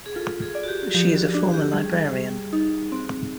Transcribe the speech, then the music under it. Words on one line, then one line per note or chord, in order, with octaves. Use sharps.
She is a former librarian.
G#4
F4 A4
G#4
D5
F#4
G4
F#4
F3 G4
F#4
D4 F#4
G4
G3 G#4
G3
D#4
C4